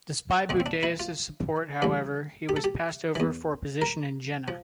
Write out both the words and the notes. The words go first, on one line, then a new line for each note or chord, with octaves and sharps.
Despite Buddeus's support, however, he was passed over for a position in Jena.
F2 D3 F3 C4
C4
D4
E4
F4
A1 G2 E3
G4
A4
G4
E2 E3
A#4
F3